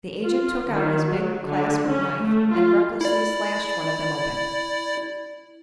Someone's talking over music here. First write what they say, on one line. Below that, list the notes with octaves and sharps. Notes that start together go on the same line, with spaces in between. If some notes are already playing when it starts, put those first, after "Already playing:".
The agent took out his big clasp knife and recklessly slashed one of them open.
F4
D#3
F#3
D3
C#4
A3
F4
E4 D5